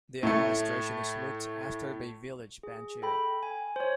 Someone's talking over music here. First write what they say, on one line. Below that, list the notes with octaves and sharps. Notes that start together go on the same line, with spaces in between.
The administration is looked after by village panchayat.
A2 A3
G#4
A4 G5 B5
G#5
C5 C#5